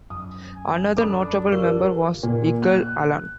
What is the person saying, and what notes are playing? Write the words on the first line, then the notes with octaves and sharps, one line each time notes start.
Another notable member was Yigal Allon.
F#2 D#6
G#5
D4 A4 B5 D6
F4 G4 A#4 C#6
A#2
F#6